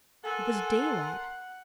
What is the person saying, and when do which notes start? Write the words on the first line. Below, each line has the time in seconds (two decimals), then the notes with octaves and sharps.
It was daylight.
0.25 A4 A#4 F#5 G#5 A5 C6